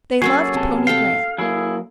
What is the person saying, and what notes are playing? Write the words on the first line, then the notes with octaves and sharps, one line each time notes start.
They loved pony Grant.
F#3 A#3 C#4 F#4 G#4 A4
C3 A5
A4 F5 G5
F#3 A#3 E4 G#4